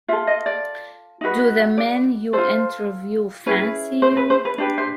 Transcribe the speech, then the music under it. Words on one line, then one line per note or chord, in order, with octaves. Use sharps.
'Do the men you interview fancy you?
F4 A4 E5
D#5
D5
D#4 F#4 B4
D5
F4 A4 C5
C#4 E4 G#4 B4
C5
B4
C5
B4
D4 G4 B4
C5